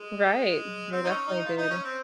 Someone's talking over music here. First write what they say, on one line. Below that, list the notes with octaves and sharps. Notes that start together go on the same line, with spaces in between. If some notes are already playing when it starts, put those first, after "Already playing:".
Right. They definitely did.
Already playing: G#3
C4
D#4
C#4
D#4
F4
D#4
C#4
C4